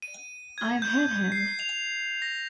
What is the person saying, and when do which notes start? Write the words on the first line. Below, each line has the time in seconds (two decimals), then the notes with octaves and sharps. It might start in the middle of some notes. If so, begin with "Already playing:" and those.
I've hit him.
0.02 D#7
0.58 G#6
0.82 G6
1.32 C7
1.60 F7
2.22 A#6